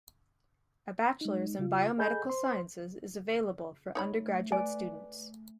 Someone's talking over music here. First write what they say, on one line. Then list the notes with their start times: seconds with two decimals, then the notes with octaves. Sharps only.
A bachelors in biomedical sciences is available for undergraduate students.
1.21 G#3 D#4
1.59 C#3 F4
1.98 G#4 A4 D#5 G#5 B5 G6
2.27 C5 C6
3.95 A3 D#4 C#5 B5
4.52 B4 D5 G#5